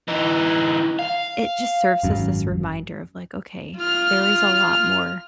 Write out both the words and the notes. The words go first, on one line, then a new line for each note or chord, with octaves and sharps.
it just serves as this reminder of, like, "Okay, there is a lot more
E3 D#4
F5
G#1 F#2
F4 F6